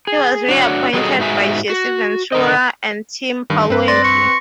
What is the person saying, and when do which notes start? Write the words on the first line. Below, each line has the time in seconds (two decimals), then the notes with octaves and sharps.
He was reappointed by Jesse Ventura and Tim Pawlenty.
0.07 G#4
0.49 D4 F#4 C#5
0.93 F#3 G3 F#4 G#4 A4 D#5
1.19 G#2 A3 F#4 G#4 E5 G#5
1.70 F#4
2.32 D3 A#4 D#5
3.50 G2 D#3
3.70 G2 C4 B4
3.88 D5 C6 A#6
4.04 C#6